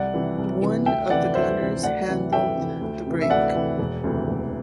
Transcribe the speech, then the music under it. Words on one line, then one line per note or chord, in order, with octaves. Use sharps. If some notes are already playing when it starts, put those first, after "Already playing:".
One of the gunners handled the brake.
Already playing: C2 D5 F#5
C3 E3
C2
C3 E3
D2 E5 G5
C3 E3 D5 F#5
D2 C5 E5
C3 E3
D2 D5 F#5
C3 E3
D2 E5 G5
C3 E3
D2
C3 E3
E5
D2 D5 F#5
C3 E3
E1
D2 C3 E3
E1